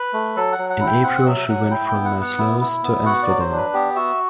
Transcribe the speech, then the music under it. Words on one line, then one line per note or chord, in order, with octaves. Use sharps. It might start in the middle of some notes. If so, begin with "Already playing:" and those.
In April she went from Maassluis to Amsterdam.
Already playing: B4
A3
F#3 A4
F#5
F#3
F#5
E4
G5
C4 F#5
F#3 E5
F#3 F#5
E4 G5
G5
B3
F#5
B3
F#5
E4
E4
B3
F#4 F#5
D5
F#3
C5
D4
B4
B3 G4
F#4 E5